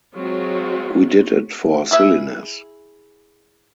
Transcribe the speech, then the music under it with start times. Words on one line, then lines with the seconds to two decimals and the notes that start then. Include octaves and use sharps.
We did it for silliness.
0.17 F#3 G#3 C4 F4 F#4
1.91 E4 G#4 E5